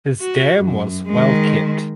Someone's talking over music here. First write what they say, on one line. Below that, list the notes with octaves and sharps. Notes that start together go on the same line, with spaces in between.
His dam was Well Kept.
F#4
F#2
D#3 G#3